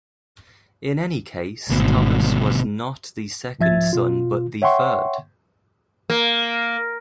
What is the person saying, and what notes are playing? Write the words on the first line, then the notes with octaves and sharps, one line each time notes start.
In any case Thomas was not the second son but the third.
G#1 D2 B2
C2 G#2 F3 E5 G#6 A6
B2 F4
C#5 E5 F#5 G5 C6 C#6
A#3